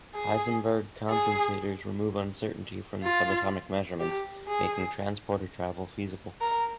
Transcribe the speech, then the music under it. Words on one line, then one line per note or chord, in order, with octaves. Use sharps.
Heisenberg compensators remove uncertainty from the subatomic measurements, making transporter travel feasible.
G#4
G#4
F4
G4
G#4
A#4